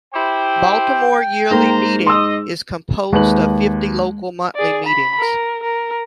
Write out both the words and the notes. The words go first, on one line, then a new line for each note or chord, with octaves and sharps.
Baltimore Yearly Meeting is composed of fifty local Monthly Meetings.
E4 G4 C5 G5
G#2 A#3 C5 A#5
D#5 C6 E6
D#2 G#3 B4 F#7
G#4 D5
B5
A#4
A#4